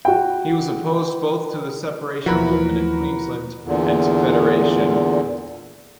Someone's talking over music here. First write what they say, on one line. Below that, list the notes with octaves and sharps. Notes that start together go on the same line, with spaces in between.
He was opposed both to the separation movement in Queensland and to federation.
F#4 G5
D#2 E3 F3 F#4 A#4 B5
E2 A#2 D3